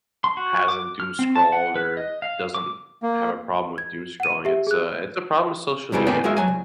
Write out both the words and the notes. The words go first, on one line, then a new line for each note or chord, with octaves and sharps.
hasn't doomscrolled or doesn't have a problem with doomscrolling. It's a it's a problem with social media,
C6
F#4
D6
F6
C4
A5
F#5
B4
D#5
F5
D6
A#3
G#6
F#5 D#7
G4 E5
G#4 F#6
C2 F2 C#3 E3 G3 G#3
A2 D#3 B3 D5 G5 G#5
G#3 A#3 F#4 E5
F2 E3 F#3 G#5
C2